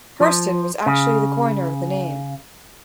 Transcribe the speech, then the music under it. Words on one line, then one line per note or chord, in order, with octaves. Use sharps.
Hurston was actually the coiner of the name.
F3
C#3